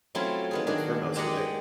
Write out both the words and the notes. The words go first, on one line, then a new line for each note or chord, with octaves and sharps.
mm, for most of it,
F#3 A3 C4 C#4 E4 F4
D#3 B3 G#4
D#3 D4 F#4 G#4
G#3 G4 D5 D#5 F#5 A#5